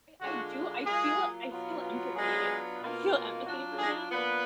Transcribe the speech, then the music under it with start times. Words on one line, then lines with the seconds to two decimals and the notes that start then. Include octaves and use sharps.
I I do I feel I feel empathy. I feel empathy for them,
0.21 D3 G#3 D4 F4 F#4
0.86 F#3 G#3 A#3 F4 G#4
1.51 B2 F#3 B3 F4
2.16 F#3 G#3 B3 D4 F4 G#4
2.81 B2 A#3 F4
3.46 F#3 D4 F4 F#4
3.79 G#3 G#4
4.11 F3 A#3 B3 D4 B4